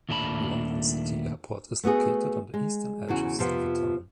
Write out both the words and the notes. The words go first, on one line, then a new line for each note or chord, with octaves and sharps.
London City Airport is located on the eastern edge of Silvertown.
D#2 A#2 A3 D4 A5 B5
A3 B3 F#4 G#4
G#3
E2 C#3 F#4
F2 C3 F3 B3